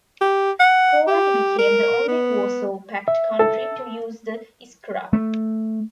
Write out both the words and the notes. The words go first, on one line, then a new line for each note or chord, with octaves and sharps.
Poland became the only Warsaw pact country to use the Iskra.
G4
F#5
G4
A#4
B3
E5
A4
A3